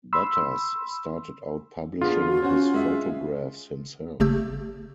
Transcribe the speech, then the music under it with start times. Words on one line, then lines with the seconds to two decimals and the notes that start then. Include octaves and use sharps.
Batters started out publishing his photographs himself.
0.13 B5 C6 E6
2.01 D3 B3 F4 G#4
2.27 F#4
2.42 C#4 F#4 C5 C#5
2.74 G#3 E5
4.20 G1 C#3 A3 G4 E6 G6